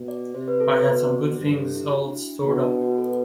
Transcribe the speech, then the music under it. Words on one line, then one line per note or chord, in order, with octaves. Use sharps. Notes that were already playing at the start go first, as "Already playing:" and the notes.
I had some good things all stored up.
Already playing: B2
D5
C3 C5
B4
A4
B4
B2 C5
D5
C5
G2 G4
A4
G4
E4
F#4
D4
E4
D4
B2 D4
E4
F#4
B4
A4